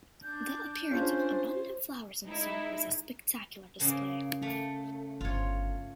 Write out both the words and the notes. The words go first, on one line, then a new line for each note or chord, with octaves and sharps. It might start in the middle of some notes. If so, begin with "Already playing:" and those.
The appearance of abundant flowers in summer is a spectacular display.
D4 G6
C#4 D4 F4 G#4 C5
G#3 D#4 E4
C#3 A#3
A3
G1 F4 C#5